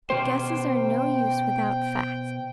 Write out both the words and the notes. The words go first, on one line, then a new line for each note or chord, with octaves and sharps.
But guesses are no use without facts.
B2 C5 G5